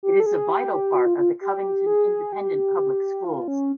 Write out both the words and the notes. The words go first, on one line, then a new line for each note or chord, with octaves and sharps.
It is a vital part of the Covington Independent Public Schools.
G4
A4
G#4
G4
F#4
F4
F4
G4
G#4
G4
F4
C#4